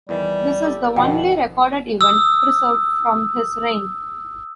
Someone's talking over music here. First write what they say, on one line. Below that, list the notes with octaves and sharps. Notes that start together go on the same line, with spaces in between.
This is the only recorded event preserved from his reign.
E2 D#3 E3 G3
E4 G4 A4
F2 B2 D#3 F3 F#5 G5
D#6 E6